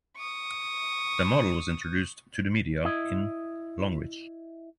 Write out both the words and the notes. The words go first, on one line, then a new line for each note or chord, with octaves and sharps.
The model was introduced to the media in Longreach.
C#6 D#6
E4 D#5